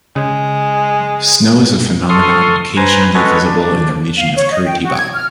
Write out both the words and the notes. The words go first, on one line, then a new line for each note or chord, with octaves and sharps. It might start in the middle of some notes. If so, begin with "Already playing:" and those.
Snow is a phenomenon occasionally visible in the region of Curitiba.
C#3 G#3
A4 C6 C#6 D#6 F6
B4 C5 G#5 A#5
G#3 C#4 F#4 A4 B4 C#5
D4
F5
C#5
D#5
G5
F#4
G#6
F6